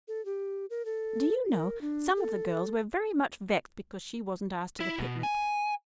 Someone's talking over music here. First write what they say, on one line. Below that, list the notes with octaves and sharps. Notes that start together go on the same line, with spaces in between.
Do you know, some of the girls were very much vexed because she wasn't asked to the picnic.
A4
G4
A#4
A4
A#4
D4
A4
E4
B2
G#5